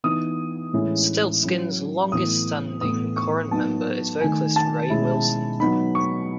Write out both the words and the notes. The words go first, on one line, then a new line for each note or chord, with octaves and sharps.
Stiltskin's longest-standing current member is vocalist Ray Wilson.
E3 B3 D#4 D#6
A2 E3 G#3 C#4 E4
F#3 C#4 E4
A2 E3 B3 E4 D#6
A2 E3 B3 D#6
C#6
F#3 B3 D#4 A5
D#3 A3 D#4 G#5
A5
B2 G#3 C#4 E4
F#3 B3 D#4 B5
C#6